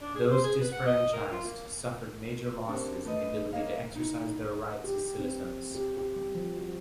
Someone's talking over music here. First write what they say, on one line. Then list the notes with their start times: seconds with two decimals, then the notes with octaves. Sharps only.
Those disfranchised suffered major losses in the ability to exercise their rights as citizens.
0.02 D4
0.15 G#4
0.31 C5
0.44 G#4
0.61 B4
0.72 F#5
0.86 D#5
1.13 A#4
1.31 F4
1.44 A#3
2.68 C4 D4 G4 A4 A#4
3.05 A3 B4 D#5
3.53 A#3 C#5 D#5 F5
3.96 D#4 E4
4.84 G4
5.19 C4
5.75 G4
5.97 G4
6.16 G3
6.35 F3
6.57 F#4